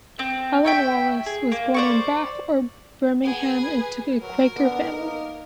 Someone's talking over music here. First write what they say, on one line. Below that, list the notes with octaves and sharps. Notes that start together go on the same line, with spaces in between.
Ellen Wallace was born in Bath or Birmingham into a Quaker family.
C4
C#5 E5 G5
G#4
A#3
C5 D5 C#6
B3 G#4
B4
F#3 A#4
D3 B3
A#3 D#4